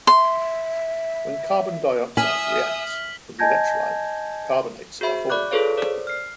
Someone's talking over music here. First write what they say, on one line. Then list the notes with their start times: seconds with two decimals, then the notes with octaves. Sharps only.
When carbon dioxide reacts with the electrolyte carbonates are formed.
0.07 E5 C6
2.17 E5 G#5 D#6 F6 B6 F#7
3.39 D#5 G#5 A5 G6 G#6 A#6
5.01 F#4 G#4 C5 E5 B5
5.29 D5 B5 C#6 D6 F#6 G6
5.51 F4 G#4 A4 B4 C#5 F5
5.77 A#4 C5 D5
6.07 F6 C7